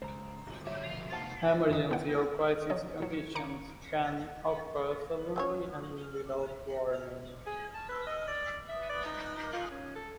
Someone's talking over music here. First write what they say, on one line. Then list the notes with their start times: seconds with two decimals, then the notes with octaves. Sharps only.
Emergency or crisis conditions can occur suddenly and without warning.
0.02 C#2 C5 A#5
0.46 D1 G1 C3
0.67 G3 A3 F#4 C#5 E5
0.86 B2 F3
1.12 C3 A#3 D#4 C5 F#5 A5
1.69 F#2 D#3 D#4
1.90 C#3 B3 D4 E4 F#5 G5
2.70 F3 F#3 C#4 C#5 D#5
3.00 A#2 F#3
3.35 D#3 A#5 D6 C#7 D7
5.36 F#3 C#4 C#5
7.46 G#4
7.74 A5
7.89 B4
8.07 D#5
8.28 D5
8.68 E5
8.89 D5
9.05 D#4
9.37 D#4
9.53 F4
9.71 C#4
9.96 A4